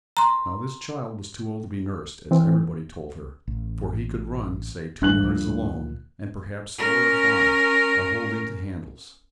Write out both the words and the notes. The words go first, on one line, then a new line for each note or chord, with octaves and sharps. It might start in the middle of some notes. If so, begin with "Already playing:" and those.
Now this child was too old to be nursed, as everybody told her; for he could run, say two yards alone, and perhaps four or five, by holding to handles.
A#5 C6
E3 C4
A1
G#1 G2 F#6 F#7
D2 A#2 F3
C#4 A#4